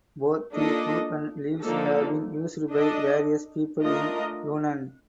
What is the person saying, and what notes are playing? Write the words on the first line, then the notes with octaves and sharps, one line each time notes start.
Both the fruit and leaves have been used by various peoples in Yunnan.
A#3 D4 F4 A4 D#5
D3 F3 A#3 D#4 A4
D4 A4 D#5
A3 D4 F4 A#4 D#5